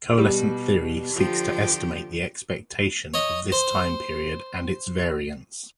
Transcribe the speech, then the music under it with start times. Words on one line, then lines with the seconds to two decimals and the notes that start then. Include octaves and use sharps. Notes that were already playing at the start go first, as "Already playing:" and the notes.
Coalescent theory seeks to estimate the expectation of this time period and its variance.
0.18 B2 G3
1.13 D3 F3 G4
3.14 C#5 D#5
3.52 C5